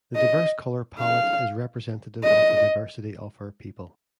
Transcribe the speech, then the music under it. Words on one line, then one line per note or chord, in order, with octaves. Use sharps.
The diverse colour palette is representative of the diversity of our people.
D#5
F5
D#5